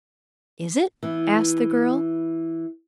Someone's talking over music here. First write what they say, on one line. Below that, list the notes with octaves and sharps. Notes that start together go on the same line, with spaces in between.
"Is it?" asked the girl.
E3 B3